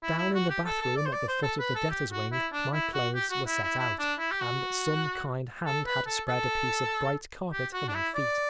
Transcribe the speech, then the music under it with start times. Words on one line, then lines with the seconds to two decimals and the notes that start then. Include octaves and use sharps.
Down in the bathroom at the foot of the debtors' wing my clothes were set out, and some kind hand had spread a piece of bright carpet for my feet.
0.03 E4
0.18 E4
0.35 F#4
0.50 G4
0.66 A4
0.82 A4
0.97 D5
1.06 C5
1.13 D5
1.28 C5
1.43 A4
1.60 B4
1.75 A4
1.90 G4
2.12 F#4
2.32 E4
2.53 D4
2.73 E4
2.94 F#4
3.15 G4
3.31 F#4
3.47 E4
3.63 E4
3.79 E4
3.99 D4
4.19 E4
4.31 G4
4.41 F#4
5.66 A4
5.86 B4
6.07 A4
6.28 A4
7.52 G4
7.74 F#4
7.88 D4
7.94 E4
8.15 D5